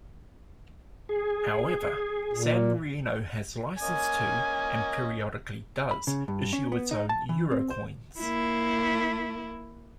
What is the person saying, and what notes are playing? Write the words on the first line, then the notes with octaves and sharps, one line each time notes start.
However, San Marino has license to-and periodically does-issue its own euro coins.
G#4
A#2
A#3 C#4 D#5 G#5
B5
C#3
G2
C#4
B3
D#4
A5
E3
C4
C5
A#3 E4